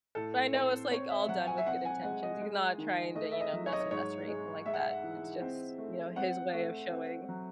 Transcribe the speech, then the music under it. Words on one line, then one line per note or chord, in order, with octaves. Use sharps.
but I know it's, like, all done with good intentions. He's not trying to, you know, mess with us or anything like that. It's just, you know, his way of showing
A2 A4
C4 C5
C4 C#5
E5
F#3 F#5
G#5
E5
C4 F#5
G#5
G#3 F#5
D#5
G#3
D#3
A3 D#5
E5
D#5
F#3
C#5
D#5
C#5
G#2 C#5
G#3
G#3 E5
F#5
E5
E3
C4
A3
C4 F#5
A3
C4
F#3